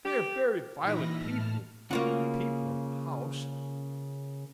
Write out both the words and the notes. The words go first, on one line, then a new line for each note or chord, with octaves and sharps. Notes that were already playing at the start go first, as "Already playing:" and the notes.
They are very violent people, the people of the house.'
G4
A#2 E3 D#4 E5 B5 A#6
A2 A5 F6
C#3 A#3 F4 F#4